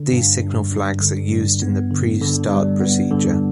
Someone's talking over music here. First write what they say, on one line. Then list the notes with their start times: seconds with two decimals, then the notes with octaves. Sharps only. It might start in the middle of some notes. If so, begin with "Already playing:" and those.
These signal flags are used in the pre-start procedure.
Already playing: D3
0.12 G2
0.42 G2
0.72 G2
1.01 D3
1.31 G2
1.62 B3
1.91 D3
2.22 D3
2.51 G3
2.81 B3
3.11 D3